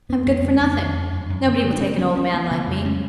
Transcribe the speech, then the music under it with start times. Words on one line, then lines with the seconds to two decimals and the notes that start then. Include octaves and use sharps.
I am good for nothing. Nobody will take an old man like me.'
0.09 F2 B3
0.27 F2 A3
0.44 C#3 G#3
0.61 F2 A3
0.78 F2 A3
0.95 F2
1.13 F#2
1.30 F#2
1.47 D3
1.64 D3
1.73 D4
1.81 C#3 C#4
1.98 D2 C#4
2.15 D2 C#4
2.33 D2 B3
2.50 C#3 A3
2.67 F2 G#3
2.85 C#3 C#4